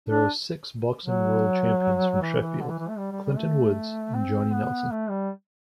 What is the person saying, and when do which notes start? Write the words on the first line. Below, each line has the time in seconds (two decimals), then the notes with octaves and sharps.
There are six boxing world champions from Sheffield, Clinton Woods and Johnny Nelson.
0.08 D4
1.05 F#3
2.21 E3
2.40 E3
2.60 D3
2.68 E3
2.78 E3
2.88 A3
2.98 G3
3.11 G3
3.24 G3
3.36 A3
4.14 C4
4.52 B3
4.91 A3
5.09 G3